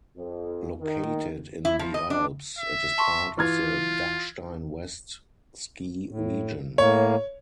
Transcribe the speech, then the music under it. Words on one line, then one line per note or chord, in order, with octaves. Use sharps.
Located in the Alps, it is part of the Dachstein West ski region.
F2
D#3
E4
F3
D#5
D4
E5
A5 C6 C#6
E3 F4 F6 G#6
A2
A2 A#3 C#5